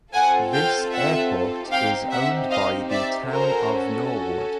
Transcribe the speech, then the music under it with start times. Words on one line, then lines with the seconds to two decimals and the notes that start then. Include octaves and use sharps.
This airport is owned by the Town of Norwood.
0.14 C4 F4 A4 F#5 G#5
0.53 F5 G5
0.93 E5 F#5
1.72 C4 D#4 G4 F5 G5
2.11 E5 F#5
2.51 D#5 F5
2.91 D5 E5
3.30 C#4 F#4 A4 A#4 C5